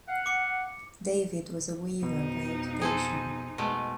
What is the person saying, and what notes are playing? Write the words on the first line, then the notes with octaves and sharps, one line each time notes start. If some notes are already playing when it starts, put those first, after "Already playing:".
David was a weaver by occupation.
F5 F#5
D6 C#7
F2 B2 D#4
G#4 A4 C5
B2 G#3 A3